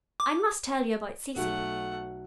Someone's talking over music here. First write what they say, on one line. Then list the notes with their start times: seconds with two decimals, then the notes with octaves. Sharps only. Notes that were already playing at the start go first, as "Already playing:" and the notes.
I must tell you about Cecy.
0.20 D6
1.35 B1 F#3 A3 F#5